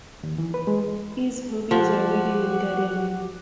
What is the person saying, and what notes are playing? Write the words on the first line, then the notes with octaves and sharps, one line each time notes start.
His hobbies are reading and gardening.
D#2
E3
B4
G#3
F3 F#4 G4